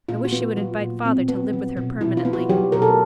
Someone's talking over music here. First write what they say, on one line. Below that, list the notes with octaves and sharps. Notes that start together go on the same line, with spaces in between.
I wish she would invite father to live with her permanently.
A#2 F4
F#4
B3
F#4
F#3 F4
A#2
B2 C4
B3
F#3
B2
B2 E4
F4
B3
F#4
F#3 G4
B2 A#4
A4